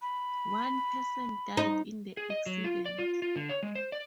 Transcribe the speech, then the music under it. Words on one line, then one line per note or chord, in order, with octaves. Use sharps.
One person died in the accident.
B5
D#4
G#4
D#5
F#3
F4
D5
F4
F4
D3
C#5
G#3
C5
D5